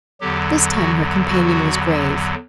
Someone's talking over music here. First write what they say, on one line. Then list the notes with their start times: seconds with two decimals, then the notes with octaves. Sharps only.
This time her companion was grave.
0.20 E2 D3 F#3 G4
0.75 F#4
1.29 F#4